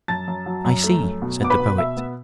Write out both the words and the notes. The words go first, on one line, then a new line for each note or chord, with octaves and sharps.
"I see," said the Poet.
F#2 A5 A6
F#2
F#3
F#2
A3
F#2
B2
B3 D6
B4 B5
B2
B2 E5 E6
B3